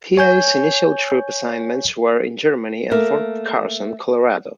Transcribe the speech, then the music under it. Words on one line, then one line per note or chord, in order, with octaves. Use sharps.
Peay’s initial troop assignments were in Germany and Fort Carson, Colorado.
C#5 G#5 G6
A3 A#3 A#4